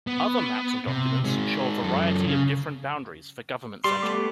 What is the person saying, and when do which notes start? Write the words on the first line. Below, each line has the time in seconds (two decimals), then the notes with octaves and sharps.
Other maps and documents show a variety of different boundaries for Government Center.
0.07 B3
0.87 C3
1.24 D#3 G#3
1.83 F#2 A4
2.26 C#3
3.84 G3 C6
4.02 A3 B3 D6